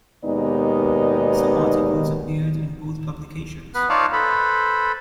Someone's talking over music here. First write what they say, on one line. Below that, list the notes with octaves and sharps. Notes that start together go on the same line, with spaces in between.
Some articles appeared in both publications.
D#2 B2 G#3 B3 D#4 D5
B3 B4
D#4 F4 C#5 D5 F5 A5
A4 B4 C5 B5